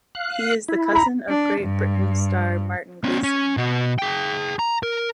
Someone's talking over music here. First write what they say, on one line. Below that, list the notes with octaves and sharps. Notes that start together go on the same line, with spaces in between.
He is the cousin of Great Britain star Martin Gleeson.
F5 F#6
E4
A#5 B5
D4
G2
B3 C#4
C#4
B2 F#4
G#4 G5
A#5
A#4